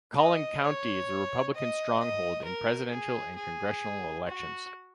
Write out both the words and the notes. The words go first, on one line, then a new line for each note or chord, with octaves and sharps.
Collin County is a Republican stronghold in presidential and congressional elections.
D#5
C#5
D#5
D#5
A#4
G#4
G#4
F#4